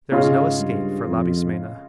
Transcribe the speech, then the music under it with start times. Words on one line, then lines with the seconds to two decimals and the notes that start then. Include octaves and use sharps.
There was no escape for Labismena.
0.12 G#2 C#3 G#3 C#4 F4
0.59 G2
1.05 F2